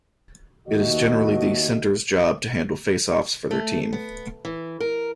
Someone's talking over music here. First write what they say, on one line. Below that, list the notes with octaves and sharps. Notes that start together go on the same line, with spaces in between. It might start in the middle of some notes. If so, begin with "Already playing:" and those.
It is generally the centre's job to handle faceoffs for their team.
D#2 A3 F#4 D#5
A3
B3
E3
A#4